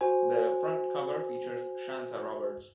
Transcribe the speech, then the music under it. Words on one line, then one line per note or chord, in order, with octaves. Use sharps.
The front cover features Shantha Roberts.
F#4 C5 G#5